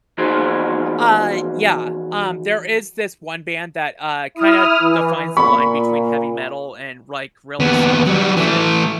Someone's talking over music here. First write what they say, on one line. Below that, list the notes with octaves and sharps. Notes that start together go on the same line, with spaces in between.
Uh, yeah. Um, there is this one band that, uh, kinda defines the line between heavy metal and, like, really soft music,
E2 F3 D#4 F#4 G#4 C5
E4 D#6 F6
E3
A#2 B5 C#6
D#2 B3
F#3 G3
E3 A3